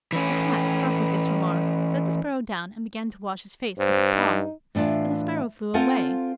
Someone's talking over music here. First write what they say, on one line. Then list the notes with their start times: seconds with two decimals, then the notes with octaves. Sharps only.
The Cat, struck with this remark, set the sparrow down, and began to wash his face with his paw, but the sparrow flew away.
0.12 E3 C#4
3.78 G2 C5
4.14 D#4
4.75 A2 E3 D4 E4 F4
5.74 C4 F4 A4 F5 F#5 G#5